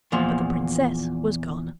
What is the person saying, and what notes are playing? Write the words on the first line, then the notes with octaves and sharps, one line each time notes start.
But the princess was gone.
E2 A#2 F3